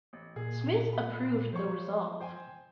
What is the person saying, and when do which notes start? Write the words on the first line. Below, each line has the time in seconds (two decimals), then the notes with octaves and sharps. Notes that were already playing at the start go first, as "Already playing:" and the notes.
Smith approved the resolve.
0.13 A1
0.36 A#2 G#4
0.93 B5
1.53 F3 C5 C#5 C#6
2.20 C5 G5 G#5